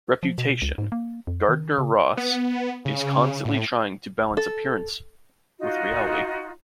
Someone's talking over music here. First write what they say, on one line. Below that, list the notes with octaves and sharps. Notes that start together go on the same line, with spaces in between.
Reputation: Gardner Ross is constantly trying to balance appearances with reality.
F3
B2
C#2
G#2
A#3
F2
D#3
C#3
B3
C#3
A2
A4
D#4 F4 F#4